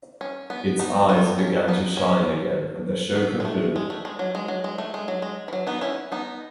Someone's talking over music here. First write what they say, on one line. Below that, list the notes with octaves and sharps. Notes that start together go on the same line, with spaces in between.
Its eyes began to shine again and the show concluded.
C#4
B3
B3 D#4
B3 D#4
C#4
B3 D#4
C#4
B3
G#3
A3
G#3
A3
G#3
F#3
G#3
F#3
G#3
A3
G#3
F#3
G#3
E3
F#3
B3 D#4
C#4 E4
B3 D#4